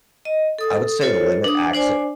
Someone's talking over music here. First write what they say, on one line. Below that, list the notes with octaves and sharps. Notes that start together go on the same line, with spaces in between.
I would say to limit acce an
D#5
A4 D#6
F4 A4 C5 C#5
D4 D#6
D4 C5 D5 G#5